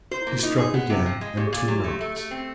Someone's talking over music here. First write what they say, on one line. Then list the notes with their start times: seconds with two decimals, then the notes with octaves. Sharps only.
He struck again, and two knocks.
0.11 F#4 C5
0.22 E4
0.27 A#3
0.32 E4
0.39 F#4
0.43 D#4 F4
0.58 F#4 G#4
0.74 B3 F#4
0.90 C3
1.06 F3
1.21 G#3
1.37 A#2 G4
1.47 G#4
1.53 A#2
1.58 G#4
1.68 F#3 G4
1.80 A3 F#4
1.90 G4
2.01 A3
2.16 A3
2.31 C4